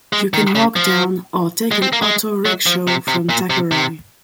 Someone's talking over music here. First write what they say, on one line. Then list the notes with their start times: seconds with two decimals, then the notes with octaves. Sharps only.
You can walk down or take an auto rickshaw from Takari.
0.13 G#3
0.34 D#3
0.55 C#3
0.76 F3
1.71 G#3
1.82 C4
1.93 A#3
2.02 G#3
2.45 F#3
2.66 F3
2.88 C3
3.08 C3
3.30 A#2
3.50 C3
3.71 C3